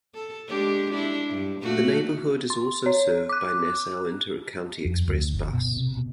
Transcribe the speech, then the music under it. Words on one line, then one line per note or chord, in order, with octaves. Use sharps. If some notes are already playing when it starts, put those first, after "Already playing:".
The neighborhood is also served by Nassau Inter-County Express bus.
A4
G#3 D4 G4
D4 E4
G2
A#2 A3 F#4
C6
C#5
D6 F#6
F2
D2
F#1
B2
C3
B2